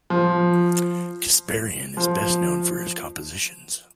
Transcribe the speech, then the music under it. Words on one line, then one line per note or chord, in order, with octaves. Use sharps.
Kasparyan is best known for his compositions.
F3
F3